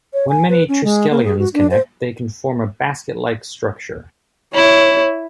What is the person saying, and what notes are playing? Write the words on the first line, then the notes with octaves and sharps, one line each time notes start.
When many triskelions connect, they can form a basket-like structure.
C#5
G#5
B4
C#4
G#3
A#3
G#4
F#4
D4
C5
E4 C#5